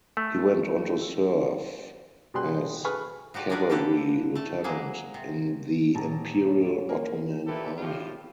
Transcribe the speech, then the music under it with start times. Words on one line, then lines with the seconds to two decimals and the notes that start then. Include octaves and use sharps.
He went onto serve as Cavalry Lieutenant in the imperial Ottoman army.
0.17 A3
2.34 B2 G3 G#4 G5 C6 F#6
2.84 G#4 A4 B4 B5 C#6 F6
3.34 F3 F#4 G4 D5
3.50 C#4 D4 G#4 A#4 B4 D5
3.70 D3 A#3 G4 A4 B4
4.35 A3 A5
4.64 F#3 G#3 A#3 G#4
5.14 C3
5.95 D#1 A5 A#5
6.46 C#5
6.89 A#3
7.47 A#2 E4 G4 A4 B4
7.78 G#1 A2 F4 G4